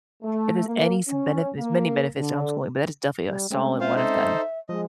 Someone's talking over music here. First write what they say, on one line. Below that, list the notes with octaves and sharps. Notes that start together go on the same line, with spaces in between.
if there's any some benefit there's many benefits to homeschooling, but that is definitely a solid one of them.
A3
A#3
C#4
A#3
D3
G3
G#3 A3 C4 C#4
F4 C5 E5 F5
D#4 A4 C5
F3 G#3 D#5